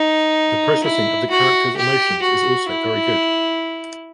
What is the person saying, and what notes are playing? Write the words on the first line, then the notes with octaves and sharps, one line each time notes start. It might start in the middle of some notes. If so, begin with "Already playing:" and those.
The processing of the characters’ emotions is also very good.
Already playing: D#4
E4
F#4
G4
F#4
E4